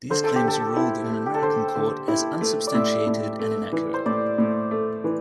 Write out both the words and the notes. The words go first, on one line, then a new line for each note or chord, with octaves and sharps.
These claims were ruled in an American court as "unsubstantiated and inaccurate".
D3 C5
A4
G4
D3 A4
E4
A3
G4
A4
D3 C5
D3
E4
A3
D5
A2 E5
A2
A3
E3
C5
A2 D5
A2
A3
E3